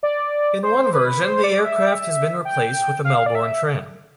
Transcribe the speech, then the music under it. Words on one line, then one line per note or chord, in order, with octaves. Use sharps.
In one version, the aircraft has been replaced with a Melbourne tram.
D5
C5
B4
C5
D5
E5
G5
F5
D5
E5